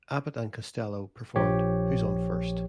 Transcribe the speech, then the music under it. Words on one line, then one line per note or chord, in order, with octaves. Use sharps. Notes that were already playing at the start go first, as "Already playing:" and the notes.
Abbott and Costello performed Who's on First?
A#1 F3 G4 C#5